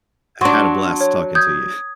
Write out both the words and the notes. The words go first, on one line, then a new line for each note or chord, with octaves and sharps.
had a blast talking to you.
F#3 D4 F#5 C6 C#6
C#5
D#6 G6 G#6